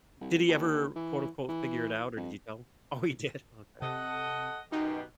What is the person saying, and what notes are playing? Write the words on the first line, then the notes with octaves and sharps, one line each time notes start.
did he ever, quote unquote, "figure it out," or did you tell him? Oh, he did, okay.
C2
D#2
E3
E3
F2
C3 A4 D#5 F#5
F#2 B2 D#4 G4